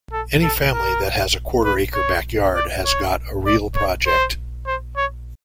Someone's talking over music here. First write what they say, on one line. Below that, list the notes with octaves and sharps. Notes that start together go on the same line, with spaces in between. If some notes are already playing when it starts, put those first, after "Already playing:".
Any family that has a quarter-acre backyard has got a real project.
A4
A4
A#4
B4
C#5
D5
C#5
D5
C#5
C5
C5
C#5